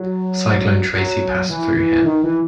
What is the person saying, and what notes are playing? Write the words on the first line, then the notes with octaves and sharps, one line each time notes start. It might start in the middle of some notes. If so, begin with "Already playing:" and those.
Cyclone Tracy passed through here.
Already playing: F#3
F#3
E3
E3
D#3
E3